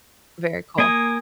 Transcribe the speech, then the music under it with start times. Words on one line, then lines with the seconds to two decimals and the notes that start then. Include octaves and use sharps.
Very cool.
0.78 A#3 G#5 D#6